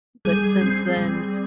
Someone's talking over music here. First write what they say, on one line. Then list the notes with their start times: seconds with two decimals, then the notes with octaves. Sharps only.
but since then,
0.25 G3 G#4
0.61 C4
0.97 G3